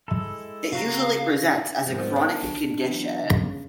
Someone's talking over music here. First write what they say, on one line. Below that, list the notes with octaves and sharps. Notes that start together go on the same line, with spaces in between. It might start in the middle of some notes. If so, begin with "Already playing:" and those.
It usually presents as a chronic condition.
G#3 E4 A4
C#3 F#4 F5 A#5
G#2 D3 D#3 F3 B3
D4
E3 F#3 B3
C#3